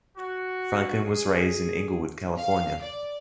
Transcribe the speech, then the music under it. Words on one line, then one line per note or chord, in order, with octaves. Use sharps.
Franklin was raised in Inglewood, California.
F#4
G#4
F5
D5